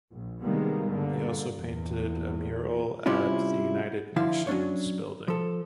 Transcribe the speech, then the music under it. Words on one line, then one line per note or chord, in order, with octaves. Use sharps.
He also painted a mural at the United Nations building.
A#1
C3 D#3 G3 G#3 A#3 B3
G2 D3 A#3
E2 A#2
C3 G3 C#4 E4 F4
D3 F3 E4 F5
F#3 C#4 D4 C#5
F3 A4